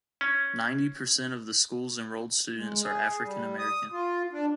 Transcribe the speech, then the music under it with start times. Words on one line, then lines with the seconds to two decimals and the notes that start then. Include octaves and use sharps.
Ninety percent of the school's enrolled students are African-American.
0.21 C#4
2.57 G#3
2.83 G#4
3.24 G3
3.58 D#6
3.92 F4
4.33 D4